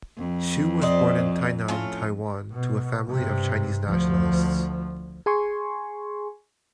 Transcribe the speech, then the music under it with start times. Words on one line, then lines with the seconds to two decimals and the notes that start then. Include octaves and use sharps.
Xu was born in Tainan, Taiwan to a family of Chinese nationalists.
0.18 F2
0.81 C5 D5 D#5
1.68 A2 C#4 F4
2.52 B2
3.10 G2 C3
3.87 D2 F3
5.26 G#4 G#5 C6 C#6